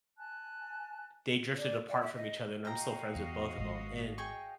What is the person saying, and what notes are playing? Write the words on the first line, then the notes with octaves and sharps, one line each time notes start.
they drifted apart from each other and I'm still friends with both of 'em, and
G#5 A5 F#6
D5
D5
E5
D#5
F#4 D#5 F5 G5 A#5
E2
G#1 G#2
G#4 G5 C#6